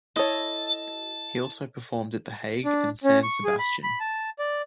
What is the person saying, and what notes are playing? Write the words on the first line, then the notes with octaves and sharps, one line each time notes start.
He also performed at The Hague and San Sebastian.
E4 A4 C#5 D#5 A5
D4
C#4
C#6
G#4
B5
B5
A5
D5